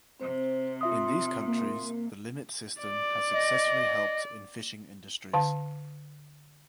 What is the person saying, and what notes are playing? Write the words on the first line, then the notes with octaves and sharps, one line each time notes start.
In these countries the limit system has successfully helped in fishing industries.
C3 C4 C5
F4 E5 C6 D#6
A#3
D5
D#5
D3 F5 A5